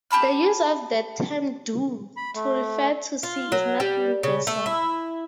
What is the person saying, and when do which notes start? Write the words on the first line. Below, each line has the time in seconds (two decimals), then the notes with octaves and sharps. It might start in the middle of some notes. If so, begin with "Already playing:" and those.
The use of the term "Do" to refer to C is not universal.
0.11 G4 A5 B5 F6
2.17 B5
2.35 A3
3.23 F4
3.52 F#3
3.80 G3
4.23 C#3
4.47 A3
4.66 E4